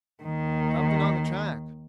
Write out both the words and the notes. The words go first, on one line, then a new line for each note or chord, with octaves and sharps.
Something on the track.
D#2 D#3